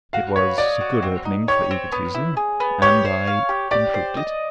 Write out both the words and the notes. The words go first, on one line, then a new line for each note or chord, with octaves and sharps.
It was a good opening for egotism, and I improved it.
F#4 F5
B4 C#5
D5 D#5
F#4
C4
D#4
G4 C#5
C4
B3
E4
G#4
B3
G4 C#5
C5
F5
G4
G4 D5
C5
D#5